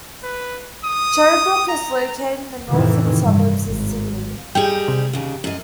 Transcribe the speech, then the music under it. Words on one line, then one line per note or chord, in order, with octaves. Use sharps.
Cherrybrook is located in the Northern Suburbs of Sydney.
B4
D#6
A#5
F2 A2 C3 D#3 E3
G2
G#1
G3 D#4 G#4 G5
C3
D#2 C#3
F#2 D#5